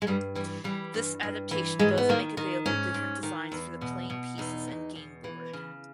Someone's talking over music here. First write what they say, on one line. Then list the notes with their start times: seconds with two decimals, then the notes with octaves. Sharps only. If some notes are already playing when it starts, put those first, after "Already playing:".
This adaptation does make available different designs for the playing pieces and game board.
0.02 G#3
0.07 G2 G3
0.35 E3 G3
0.64 E3 G3
0.94 G2
1.23 G2
1.51 E3
1.79 G#2 G#3
1.98 B3
2.09 D#3 A#3
2.37 D#3
2.66 G#2 C#4
2.94 G#2
3.23 D#3
3.52 E2
3.81 B2
4.10 B2
4.38 E2 D#4
4.68 E2
4.95 B2
5.24 E3
5.53 C#3